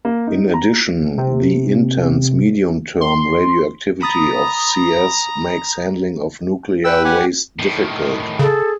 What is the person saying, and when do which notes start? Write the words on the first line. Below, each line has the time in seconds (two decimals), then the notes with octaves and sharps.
In addition, the intense medium-term radioactivity of Cs makes handling of nuclear waste difficult.
0.05 A#3
0.27 D#4
0.54 A#5
1.17 C3
3.01 C6
4.02 A#5 B5 D#6 A6
6.84 B4 G5 E6
7.05 G4 F#5 G#5
7.59 A2 D#3
8.39 C#3 G#4 A4